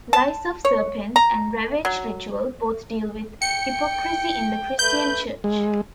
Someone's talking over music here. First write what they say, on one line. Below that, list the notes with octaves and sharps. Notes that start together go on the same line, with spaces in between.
"Lies of Serpents" and "Ravage Ritual" both deal with hypocrisy in the Christian church.
A5
C#5
A#5
F#3
G5 C#7
A3 B4 G6
G#3